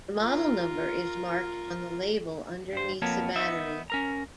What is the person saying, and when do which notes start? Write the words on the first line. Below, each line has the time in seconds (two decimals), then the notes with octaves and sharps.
The model number is marked on the label underneath the battery.
0.21 F4 A#4
2.73 G2 C5
3.02 F2 A#3 B3 A#4 C#5 A5
3.36 B3 D#4 E5
3.90 C#4 A#4 A#5